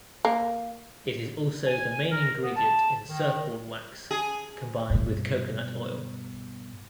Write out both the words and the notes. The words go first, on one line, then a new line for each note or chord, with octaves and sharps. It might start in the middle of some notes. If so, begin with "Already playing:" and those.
It is also the main ingredient in surfboard wax, combined with coconut oil.
A#3
G#5
A#4
B3
A5
D#3
G#4
G2 B2